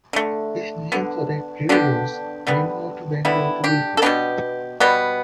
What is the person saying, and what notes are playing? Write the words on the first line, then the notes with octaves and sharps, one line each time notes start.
His name for that trio was "Bingo to Bango to Bilko".
D3 A3
D3 B3
D3 B3 D4 G4
D3 G3 B3
D3 G3 B3 E4
D4 G4
A4
B2 G3 B3 D4 G4
B2 G3 B3